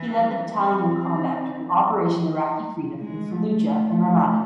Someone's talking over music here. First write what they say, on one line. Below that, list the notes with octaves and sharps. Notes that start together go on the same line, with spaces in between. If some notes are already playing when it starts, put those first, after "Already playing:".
He led the battalion in combat during Operation Iraqi Freedom in Fallujah and Ramadi.
Already playing: E3
C4
G#3
A3